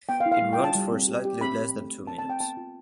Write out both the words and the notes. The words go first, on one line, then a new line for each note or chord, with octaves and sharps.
It runs for slightly less than two minutes.
B3 G5
F5
E4
F5
G3
G5
F4
A5
G3
C4
G4
G4
C4 B5
G4
A3
A3
C4 A5
A5
C4
G5
B3 A5
F4